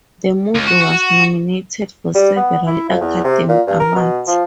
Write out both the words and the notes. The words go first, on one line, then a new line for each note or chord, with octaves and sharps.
The movie was nominated for several Academy Awards.
C#2
F#4
F#4
G3
B3
E4
F2
E2
C3
A#2
G2
A#4
B2
F3